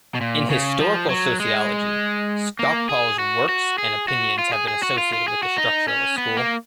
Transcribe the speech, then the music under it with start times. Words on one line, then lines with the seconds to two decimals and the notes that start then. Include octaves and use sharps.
In historical sociology, Skocpol's works and opinions have been associated with the structuralist school.
0.15 B2
0.21 A#2
0.50 C#3
0.80 F3
1.09 F#3
1.40 G#3
2.59 A#3
2.89 G#4
3.19 F#4
3.49 F#4
3.78 G#4
4.08 F#4
4.39 F4
4.53 G#4
4.68 G#4
4.83 F#4
4.98 F4
5.13 F4
5.28 G#4
5.43 F#4
5.58 D#4
5.88 C#4
6.18 B3
6.37 A#3